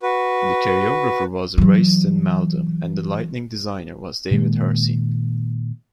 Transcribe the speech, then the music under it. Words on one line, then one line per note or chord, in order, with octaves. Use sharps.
The choreographer was Royston Maldoom and the lighting designer was David Hersey.
F#4 B4
E3 F#3
A#2 D#3 G#3 A#3